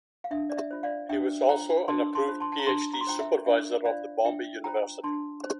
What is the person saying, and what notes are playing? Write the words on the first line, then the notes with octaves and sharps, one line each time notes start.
He was also an approved PhD supervisor of the Bombay University.
F5
D4 E5
D5
E5
F4 C5
D5 F5
D4 E5 G5
F4 C5 G5 A#5
D4 A5 C6
A5 C6
F4 C5
A5 C6
A5
A#5
D4 A5 C6
A#5
C6
F4 C5 G5 A#5
E5
D4 E5
F4 C5 D5 F5
D4 E5 G5
F4 C5 G5 A#5
D4 A5 C6
C5